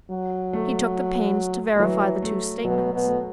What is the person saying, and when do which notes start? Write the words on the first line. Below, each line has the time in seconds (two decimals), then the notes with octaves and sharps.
He took the pains to verify the two statements.
0.11 F#3
0.53 A3
1.76 A3
1.80 E3 F#3
2.22 A3
2.65 B2 F#3
2.92 B2
3.07 A3